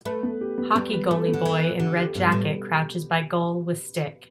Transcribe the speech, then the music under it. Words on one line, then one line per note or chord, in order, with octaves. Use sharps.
Hockey goalie boy in red jacket crouches by goal, with stick.
A3 B4
B3
G4
B3
G3 B3
B4
A3 B4
B3
D3
E3 B4
B4
D3 G4
G4
G2 B2
A2 B4